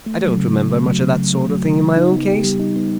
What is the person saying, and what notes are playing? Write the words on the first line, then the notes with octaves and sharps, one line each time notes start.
I don't remember much of that sort of thing in my own case.
A3
F#3
C#3
C#3
A3
F#3
C#3
C#3
A3
F#3
C#3
C#3
D#4
B3
G4
G3
D#4
B3